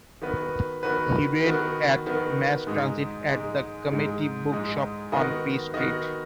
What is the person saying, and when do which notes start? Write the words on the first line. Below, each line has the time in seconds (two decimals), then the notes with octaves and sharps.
He read at Mass Transit, at the Community Book Shop on P Street.
0.22 D#3 B3 F#4 B4
0.83 D#3 B3 F#4 B4
1.44 D#3 B3 F#4 B4
2.06 D#3 B3 F#4 B4
2.67 G#2 G#3 D#4
3.29 G#2 G#3 D#4
3.91 G#2 G#3 D#4
4.52 G#2 G#3 D#4
5.12 D#3 B3 F#4 D#5
5.74 D#3 B3 F#4 D#5